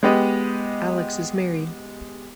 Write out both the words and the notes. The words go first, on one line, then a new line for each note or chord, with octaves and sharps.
Alex is married.
G#3 B3 G4 D#5